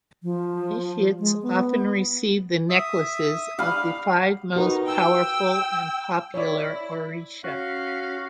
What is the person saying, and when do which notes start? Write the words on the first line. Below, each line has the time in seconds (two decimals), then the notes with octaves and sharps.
Initiates often receive the necklaces of the five most powerful and popular oricha.
0.23 F3
1.19 G#3
1.42 B3
2.70 E5 D#6
3.59 G4 F5 B5
4.56 D#4 F#4 A#4 B4
4.86 G5 E6
6.34 E4 C#5 D5
7.44 C#4 F#4 F5